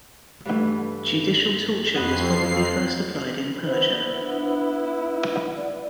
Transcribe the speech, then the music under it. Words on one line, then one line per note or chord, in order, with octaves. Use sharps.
Judicial torture was probably first applied in Persia.
G2 E3 A3
F2 D#5 F#5 B5 C7
B3 E4 C5
D4
D5